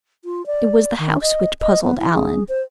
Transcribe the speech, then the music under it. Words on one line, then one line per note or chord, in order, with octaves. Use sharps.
It was the house which puzzled Alan.
F4
D5
D#3
D#5
D#5
B3
E4
G#4
C5